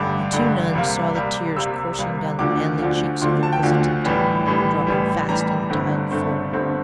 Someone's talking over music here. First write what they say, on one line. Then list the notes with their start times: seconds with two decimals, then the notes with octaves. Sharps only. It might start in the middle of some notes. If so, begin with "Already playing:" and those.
The two nuns saw the tears coursing down the manly cheeks of their visitant, and dropping fast on the tiled floor.
Already playing: A1 G2 D3 D6
0.32 A1 G2 D3
0.73 C2 C3 G3 A#3
1.15 C2 C3 G3 A#3
1.56 C2 C3 G3 A#3 E6
1.98 C2 C3 G3 A#3
2.39 D2 D3 F3 D6
2.80 D2 D3 F3
3.22 D2 D3 F3 C6
3.43 A5
3.53 G5
3.63 D2 D3 F3
4.05 A1 A2 E3 G3
4.46 A1 A2 E3 G3
4.87 A1 A2 E3 G3
5.29 A1 A2 E3 G3 A#5
5.70 G1 G2 D3 A3 C4
6.11 G1 G2 D3 A3 C4
6.52 G1 G2 D3 A3 C4